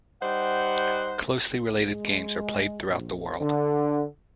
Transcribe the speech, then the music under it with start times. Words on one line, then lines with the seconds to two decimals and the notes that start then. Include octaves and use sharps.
Closely related games are played throughout the world.
0.21 G3 D#4 C5 F#5
1.87 G#3
2.87 A#1
3.41 D3